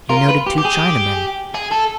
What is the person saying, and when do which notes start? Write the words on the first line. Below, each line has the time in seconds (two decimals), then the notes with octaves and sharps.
He noted two Chinamen.
0.10 F4 A#4
0.29 B4
0.46 G4
0.58 G4
0.65 G#4
1.55 G#4
1.72 A4